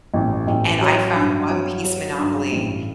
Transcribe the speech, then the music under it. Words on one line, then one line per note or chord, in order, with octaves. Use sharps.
and I found One Piece Monopoly.
A1
A1
F#3
G2
F#3
F#3
G2
A1